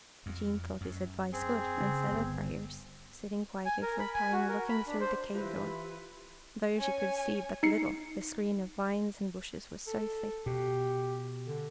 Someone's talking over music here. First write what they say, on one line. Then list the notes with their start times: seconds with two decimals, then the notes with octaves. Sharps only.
Jean thought his advice good and said her prayers, sitting quietly for a time, looking through the cave door, though she could see but little, the screen of vines and bushes was so thick.
0.26 F2
0.81 F#2
1.33 C4 G#4
1.81 C#3
2.08 G1 B3
3.66 G#5
3.82 A#4
4.00 B5
4.14 G#5
4.32 F#4
4.49 A#4
4.69 B5
4.87 D4
5.01 C5
5.34 E3 E4 F4 G4 B4
6.78 C#4 G#5
7.63 D#4 C7 C#7
9.87 A4
10.46 B2 G4
11.47 D3